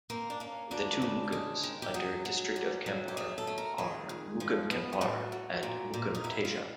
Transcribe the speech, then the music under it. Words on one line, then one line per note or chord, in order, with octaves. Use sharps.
The two Mukims under District of Kampar are Mukim Kampar and Mukim Teja.
A#3 C4
D4
A#3 C#4
D2 D4
C#3
G#3
D#3
G4
F#3 G#4
F#3
D#2
F#3
G4
A3 G#4
A4
A3
A#4
D#3 G#4
F2
F3
B3
F4
A2 F#4
F#3
A#2
A#2
D#4
D2 E4
F4